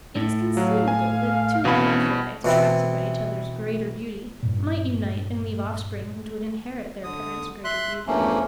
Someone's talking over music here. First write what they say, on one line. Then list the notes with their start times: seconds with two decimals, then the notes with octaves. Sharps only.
It is conceivable that two hermaphrodites, attracted by each other's greater beauty, might unite and leave offspring which would inherit their parents' greater beauty.
0.17 A2
0.57 F#3 F5
0.88 G#5
1.65 B2 E3 C4 C#4 B5
2.45 B2 E3 C4 E4
4.43 G2 A#2
7.04 D3 D#6
7.64 E5 C6 F#6
8.07 E2 G2 F3 A3 A#3 C#4